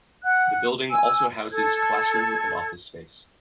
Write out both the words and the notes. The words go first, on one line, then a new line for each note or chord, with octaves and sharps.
The building also houses classroom and office space.
F#5 F#6
G#5 E6
A4 G#6